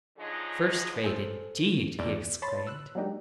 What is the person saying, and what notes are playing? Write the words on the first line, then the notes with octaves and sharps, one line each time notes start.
'First rate, indeed!' he exclaimed.
D3 F3 F#3 D#4 G#4 D#5
A4 C5 G#5
E2 D5
C#5 A5 B5 C6 A6
E6 F#6
F#3 G#3 A#3 D4 D#4 G4